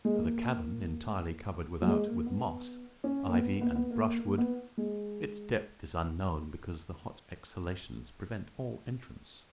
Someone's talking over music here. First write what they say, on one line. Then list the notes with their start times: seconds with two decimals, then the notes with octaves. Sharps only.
As for the cavern, entirely covered without with moss, ivy, and brushwood, its depth is unknown because the hot exhalations prevent all entrance.
0.05 G#3
0.15 A#3
1.82 F#3
1.87 G#3
2.07 A#3
2.26 B3
3.04 C#4
3.26 A#3
3.33 B3
3.56 A#3
3.61 B3
3.75 B3
3.91 A#3
4.05 A#3
4.19 A#3
4.38 B3
4.78 G#3